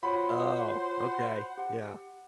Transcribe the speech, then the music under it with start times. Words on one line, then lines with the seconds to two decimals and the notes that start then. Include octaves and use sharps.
Oh, okay, yeah.
0.03 F4 F#4 C5 C#5 F#5 B5
1.58 G4 F#5